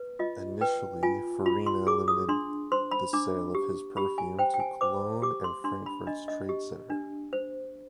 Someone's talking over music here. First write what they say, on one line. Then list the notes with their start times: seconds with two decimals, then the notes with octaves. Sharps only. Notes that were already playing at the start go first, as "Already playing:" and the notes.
Initially, Farina limited the sale of his perfume to Cologne and Frankfurt's trade centre.
Already playing: B4
0.19 F4 D#5
0.61 B4 G5
1.03 F4 G#5
1.46 F4 B5
1.66 C6
1.87 G#4 D6
2.08 D#6
2.29 D4 C6
2.72 C5 C6
2.91 B5
3.13 D4 D6
3.55 G4
3.97 G4 B5
4.18 G#5
4.39 C5 G5
4.54 G5
4.60 G#5
4.81 C5 D6
5.22 G4 D6
5.44 C6
5.64 D4 C6
5.86 B5
6.07 D4 D#5
6.28 D#5
6.49 G4
6.90 D4
7.33 C5